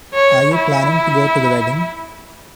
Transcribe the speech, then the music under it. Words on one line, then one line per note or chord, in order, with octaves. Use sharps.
Are you planning to go to the wedding?
C#5
E4